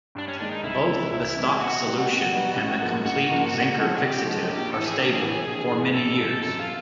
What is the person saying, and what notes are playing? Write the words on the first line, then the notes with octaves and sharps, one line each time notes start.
Both the stock solution and the complete Zenker fixative are stable for many years.
G2 D4
C#4
D#3 G#3 D4
D#4
C2 E4
C3 E3 G#3
C2
C3 E3 G#3
B2 F#4
G3 B3 D#4 G4
B2 F#4
G3 B3 D#4 G4
A1
G#2 F3 A#3
A1 F#4
G#2 F3 A#3
C3
F3 G#3 C#4
G#4
C3 G4
F3 G#3 C#4
A#1 G4
A2 E3 A4
G#4
A#1 G4
G#4
A2 E3
A#1
G#2 E3
A#1 A4
G#2 E3 A4
F#2 A4
F4